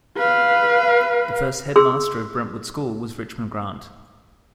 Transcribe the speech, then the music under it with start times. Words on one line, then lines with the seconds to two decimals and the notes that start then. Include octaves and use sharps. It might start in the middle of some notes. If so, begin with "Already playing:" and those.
The first Headmaster of Brentwood School was Richman Grant.
0.18 B4 F5
1.76 G#4 C6 E6